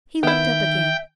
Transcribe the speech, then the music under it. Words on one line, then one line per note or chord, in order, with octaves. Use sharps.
He looked up again.
D#3 B3 E4 E5 G5